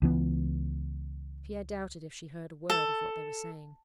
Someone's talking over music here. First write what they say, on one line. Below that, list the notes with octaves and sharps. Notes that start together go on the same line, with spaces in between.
Pierre doubted if she heard a word of what they were saying.
C#2 E3 B3
A4